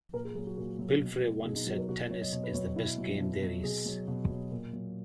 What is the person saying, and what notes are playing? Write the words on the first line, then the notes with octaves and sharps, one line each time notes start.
Palfrey once said, Tennis is the best game there is.
A#2 A#4
G#4
F#3 G#4
F#4
A#2 F#4
F#3
B2
F#3
B2 G#4
D#4
F#3 F#4
A#4
B2 F#4
F#3 C#5
D#5
B2 C#5
B4
F#3 C#5
C#5
B2 E4
F#3
B2
F#3
B2 G#4
F#3
B2
F#3
A#2
F#3